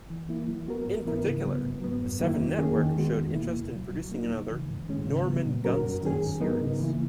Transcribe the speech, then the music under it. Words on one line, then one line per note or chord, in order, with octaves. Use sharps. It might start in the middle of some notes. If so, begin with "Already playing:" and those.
In particular, the Seven Network showed interest in producing another "Norman Gunston" series.
E3
A#3 E4
F#3
B3 F#4 A#4
G#2
E3 B3 E4 A#4
C#3
F#3 B3
G#2
F#3 B3
F#2
D#3 F#3 A#3 E4
E2
D#3 A#3 C#4 G#4
D#3
G#3 B3 F#4
E2
B2 A#3 E4
C#2
B2 F#3
F#3
A#3 D#4
C#2
C#3 E3
G#2
D#3 G#3 C#4
C#3
F#3 B3
A#2
F#3 C#4 F#4 A#4
F#2
D#3 F#3 C#4 G#4
G#2
F#3 B3 D#4 A#4
C#3
E3 A#3 E4